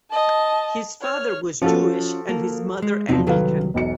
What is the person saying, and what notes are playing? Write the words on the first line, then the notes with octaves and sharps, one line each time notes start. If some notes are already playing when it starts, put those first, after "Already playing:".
His father was Jewish and his mother Anglican.
D#5 A5
C#5 F6
F3 C#4 F4 F#4 A4
A#3
G#3
E2 C3 F3 C4 D#4
C2 D#3 F#3 A4 B4 F5
E1 B1 C#7